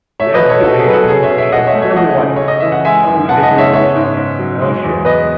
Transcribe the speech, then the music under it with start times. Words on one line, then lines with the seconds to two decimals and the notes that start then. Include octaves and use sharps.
The excavation shed further light on the settlement history of Tel Shem.
0.20 A3 C#5 E5
0.34 B4 D#5
0.42 B2
0.49 A4 C#5
0.64 B2 F#4 A4
0.79 G#4
0.86 F#3 B4
0.93 F#4 A4
1.08 C#4 G#4
1.23 C#5 E5
1.30 B2
1.38 C#5 E5
1.52 B2 D#5 F#5
1.67 C#5 E5
1.74 A3
1.82 C#5 E5
1.96 A3 D#5 F#5
2.18 C#3
2.36 C#4 C#5
2.48 D#5
2.60 E3 E5
2.72 F#5
2.85 G#3 E5 G#5
3.07 F#2
3.29 B3 F#5 A5
3.43 D#5 F#5
3.51 C#3
3.58 C#5 E5
3.72 B3 C#5 E5
3.96 G#2
4.17 G#2
4.39 F#3
4.61 G#3
4.84 E2
5.05 B3 B4 D#5